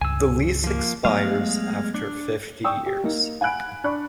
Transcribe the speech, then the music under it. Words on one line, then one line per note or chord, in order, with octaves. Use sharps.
The lease expires after fifty years.
C#2 G2 G#5 E6
F3 A#3
F#3 G#3 A3 B3 F5
D4
D5 G5 C#6 D#6 E6
G4
A#3 D#4
F#5 G#5 B5 F#6 D7
D4 D5 B5 C#6 F#6